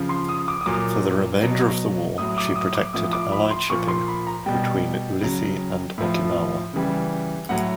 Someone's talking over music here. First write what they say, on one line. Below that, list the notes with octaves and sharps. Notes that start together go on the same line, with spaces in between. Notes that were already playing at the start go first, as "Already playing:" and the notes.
For the remainder of the war, she protected Allied shipping between Ulithi and Okinawa.
Already playing: C#3 F3
C6
D#6
D6
D#6
A#2 F#3 D6
B2 F#3
A2 F#3 D#6
D6
D#6
D6
A2 F3 D#6
D6
B5
C6
A#2 F3 C#6
C6
B5
A#5
B2 G3 G5
C#3 F#3
A2 F3
C#3 E3 G3
A2 F#3 F#5